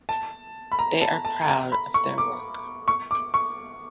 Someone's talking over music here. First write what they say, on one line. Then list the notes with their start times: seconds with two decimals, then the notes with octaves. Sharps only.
They are proud of their work.
0.09 A5
0.72 B5
0.79 A#5
1.01 A5
1.25 A5
1.48 A#5
1.72 B5
1.94 C#6
2.18 D6
2.88 C#6
3.11 D6
3.34 C#6